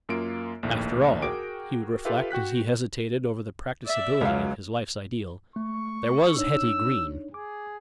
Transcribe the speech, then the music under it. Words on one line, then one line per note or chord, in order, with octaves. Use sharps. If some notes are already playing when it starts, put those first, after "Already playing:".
"After all," he would reflect as he hesitated over the practicability of his life's ideal, "there was Hetty Green."
F#2 A#3 F4 D7
A#1 D#2 A2
F#4 G#4 A#4 G5 D6 D7
F4 G4 A4 B4 E5 F5
F#4 G5 F#6 B6
D5 E5
C#2 F#3 F5
A3 C#6
D4 D#4 C#5 E6
G#4 D6